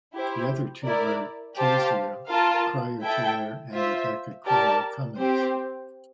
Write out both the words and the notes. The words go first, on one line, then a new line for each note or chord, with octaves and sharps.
The other two were Kezia Cryer Taylor and Rebecca Cryer Cummins.
E4 G4 C5
E4 A#4 D5
G4 C5 F5 A5
F4 A#4 F5 A5
E4 A4 E5 G5
F4 C5 E5
G4 A#4 D5 A5
C4 G4 C5